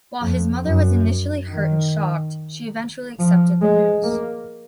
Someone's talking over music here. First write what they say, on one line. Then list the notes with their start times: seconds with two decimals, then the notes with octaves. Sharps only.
While his mother was initially hurt and shocked, she eventually accepted the news.
0.22 F2
0.64 F#2
1.49 D#3
3.19 F3
3.62 G#3
4.04 A#3